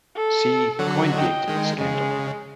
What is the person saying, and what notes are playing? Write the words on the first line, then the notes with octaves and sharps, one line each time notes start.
See Coingate scandal.
A4
D3 F#3 F#4
D#5 G5
D#3 G#3
C#3 G#3